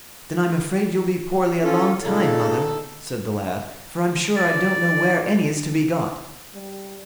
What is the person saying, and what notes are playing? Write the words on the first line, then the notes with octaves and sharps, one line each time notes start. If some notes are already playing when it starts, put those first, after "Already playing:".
'Then I'm afraid you'll be poorly a long time, mother', said the lad, 'for I'm sure I don't know where any is to be got.'
C#4 F4 A4
A#2 C#3 D#4 A4
D5
G3